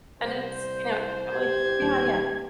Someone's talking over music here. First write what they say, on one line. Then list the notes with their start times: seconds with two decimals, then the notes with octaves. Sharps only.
And it's, you know, probably Yeah, yeah.
0.21 C2 C5
1.34 G4 G#6
1.80 D#1